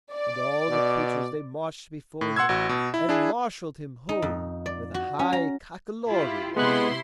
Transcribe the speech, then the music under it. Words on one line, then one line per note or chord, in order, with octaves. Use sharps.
And all the creatures they marched before him, And marshalled him home with a high cockolorum.
D5
B2
A2
F#5 C6 E6 G#6
A1 F#4
B2
E4
D4 E4 G#4
D#4
F2
D5
F#4
C#4
A#5
E4 F4 G4
C3 G#3 B3 E4 C6 F#6